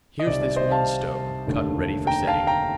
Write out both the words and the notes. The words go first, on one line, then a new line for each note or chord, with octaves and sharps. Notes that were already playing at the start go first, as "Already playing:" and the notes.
Here's this one stone, cut ready for setting.
D#5
C2 C3 D#3 G3 D5
D5
C5 D#5
F5 A5
F1 D#2 D3 A3
G5 A#5
F5 A5
G5 A#5